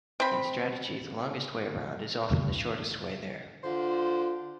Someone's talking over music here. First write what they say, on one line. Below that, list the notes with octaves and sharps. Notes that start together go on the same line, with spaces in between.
In Strategy the longest way around is often the shortest way there.
C4 B5
D3 F4 C5